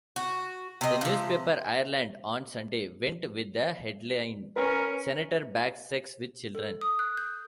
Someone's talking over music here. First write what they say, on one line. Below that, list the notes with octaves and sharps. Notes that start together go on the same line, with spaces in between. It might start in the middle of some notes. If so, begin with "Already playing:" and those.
The newspaper, "Ireland on Sunday", went with the headline "Senator Backs Sex With Children".
F#4
C3 D#5
C3 F3
C#4 A#4 B4
A4
D#6
F#6
G6